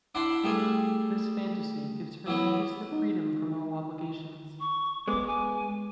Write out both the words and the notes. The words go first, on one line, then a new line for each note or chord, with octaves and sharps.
This fantasy gives her the taste of freedom from all obligations.
D4 E4 F#5 B5 C6
G3 A3 G#4
E3 F#3 B3
D#4
C#6
G#3 B3 D6
G#5